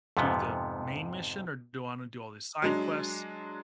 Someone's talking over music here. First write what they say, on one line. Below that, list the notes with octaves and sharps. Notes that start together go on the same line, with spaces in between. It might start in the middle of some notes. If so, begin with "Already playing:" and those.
do the main mission or do I wanna do all these side quests?
F2 G#2 C3 F3 B3
F#3 G#3 D4